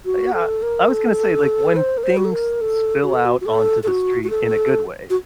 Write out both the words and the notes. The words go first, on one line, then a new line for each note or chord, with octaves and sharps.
yeah, I was gonna say, like, when things s spill out onto the street in a good way,
F#4
A4
A#4
A4
C5
A#4
C5
F#4
A4
A#4
A4
F#4
A4
F#4
F#4
A4
A4
F#4
F#4
A4
F#4